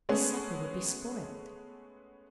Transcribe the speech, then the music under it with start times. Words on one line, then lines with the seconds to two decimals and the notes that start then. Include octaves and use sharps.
The supper would be spoilt.
0.09 G#3 A3 B3 C#4 G#4